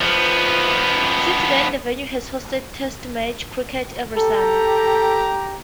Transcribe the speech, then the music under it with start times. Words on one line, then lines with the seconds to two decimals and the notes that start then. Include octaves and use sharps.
Since then the venue has hosted test match cricket every summer.
0.01 F3 B3
4.17 G4 A4 A#5